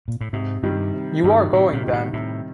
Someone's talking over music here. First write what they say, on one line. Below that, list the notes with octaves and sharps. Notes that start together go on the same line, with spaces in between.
You are going, then?
A#2
A2
G#2 C3
G2 D#3 G3
C3
G2 D#3 G3
A2 C3
A#2
A#2 D#3 G3
A2
A2 C3